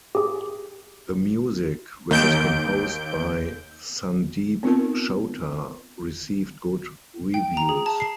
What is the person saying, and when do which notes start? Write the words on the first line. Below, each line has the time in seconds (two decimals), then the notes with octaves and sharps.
The music, which is composed by Sandeep Chowta, received good reviews.
0.15 G4 G#4
2.11 D#2 G6 D7
4.63 B3 C4 D#4 F4 A#4
7.34 G5
7.57 A#5
7.69 G#4
7.86 A5
8.00 C7